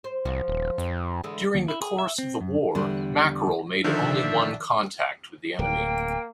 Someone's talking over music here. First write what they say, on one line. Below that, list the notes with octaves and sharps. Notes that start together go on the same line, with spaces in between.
During the course of the war, "Mackerel" made only one contact with the enemy.
C5
C2 F3 F#4
D#1
F2
D3 E3 G#3
D#2
E4
G#4
E5
C4
F#2
E2 D3 G3
D3 D#3 F3 D4 E5
D1 A#3 G5